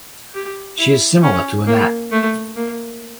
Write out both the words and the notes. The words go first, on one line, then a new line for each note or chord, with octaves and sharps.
She is similar to Anat.
G4
E4
C#4
A#3
A3
A#3